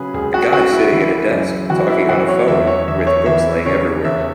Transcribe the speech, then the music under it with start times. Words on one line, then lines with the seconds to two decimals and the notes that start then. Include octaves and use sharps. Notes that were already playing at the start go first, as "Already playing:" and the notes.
A guy sitting at a desk talking on a phone with books laying everywhere.
Already playing: C#3 F#3 G#4 B4
0.14 C#2 G#4
0.34 F#4
0.52 C#3 F#4
0.72 E4
0.92 E3
1.31 F#2
1.70 E3 F#4
1.90 E4
2.09 F#2 F#4
2.28 C#5
2.48 E2 E5
2.67 C#5
2.87 E2 E5
3.07 C#5
3.26 E3 E5
3.65 C#3 C#5
4.05 E2 E5